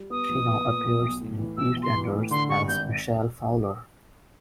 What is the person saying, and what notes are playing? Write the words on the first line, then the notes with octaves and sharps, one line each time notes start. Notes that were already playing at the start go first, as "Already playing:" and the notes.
She now appears in "EastEnders" as Michelle Fowler.
Already playing: G3
B3 D#6
A#1
B3
A#2
B1
B1
A2
E3
B1 E6
B1
C6
E3
A2
D3 C6
G2 C#6
G#1 G6